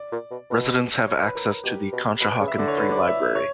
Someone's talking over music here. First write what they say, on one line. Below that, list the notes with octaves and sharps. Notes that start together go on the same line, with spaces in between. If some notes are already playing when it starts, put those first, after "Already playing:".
Residents have access to the Conshohocken Free Library.
Already playing: D5
A#2
B2
B2
C#5
B4
A#4
B2 G4
B2
B2 B4
C#3
E5
D3 D5
C#5
B4
D5
E5
C#5